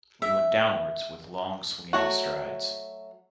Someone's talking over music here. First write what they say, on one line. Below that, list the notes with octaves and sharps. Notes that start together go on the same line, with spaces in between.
We went downwards with long swinging strides.
E5
F#3 A3 F#4